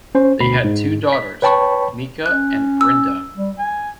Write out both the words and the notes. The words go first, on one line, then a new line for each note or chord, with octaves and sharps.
They had two daughters, Mika and Brinda.
C#4 C5
D2 B2 B5 C7
G#2
B6
B4 C#5 G5 A5 B5 C#6
C#4 F#6
E6
G3
G#5